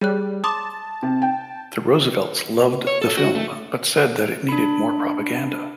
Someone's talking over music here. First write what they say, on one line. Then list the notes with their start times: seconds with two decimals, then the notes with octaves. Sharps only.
The Roosevelts loved the film but said that it needed more propaganda.
0.01 G3 G#4 C#5 F#6
0.44 A5 C6 D6 D#6
1.02 C3
1.22 G5
2.87 C#5
3.02 A4
3.17 F#4
3.35 A3
4.49 D4 B5